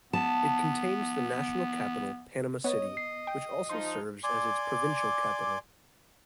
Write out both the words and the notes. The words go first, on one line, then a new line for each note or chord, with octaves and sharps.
It contains the national capital Panama City, which also serves as its provincial capital.
B3 A5
B3 C#5 D#5
C7
G5
F3 D#4 C6
D5 G#5 C6 D6